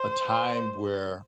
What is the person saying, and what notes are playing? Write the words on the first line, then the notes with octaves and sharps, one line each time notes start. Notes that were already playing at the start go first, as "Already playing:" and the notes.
a time where
Already playing: C5